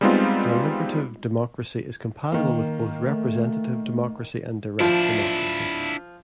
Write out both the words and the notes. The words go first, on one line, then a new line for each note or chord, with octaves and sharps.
Deliberative democracy is compatible with both representative democracy and direct democracy.
G3 G#3 B3 C4 D#4 F4
D#3 A#3
A3
F3 D4 E4